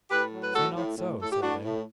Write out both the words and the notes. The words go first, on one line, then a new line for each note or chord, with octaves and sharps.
Say not so, said they.
A2 G4 B4
F#3
B4
A2 F#4 A4
A2
A2
A2 A4
G4
A2 D4 F#4
A2